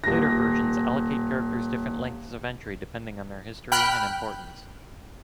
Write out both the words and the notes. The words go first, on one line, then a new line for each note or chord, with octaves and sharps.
Later versions allocate characters different lengths of entry depending on their history and importance.
D#1 A#6
G5 B5 F6 F#6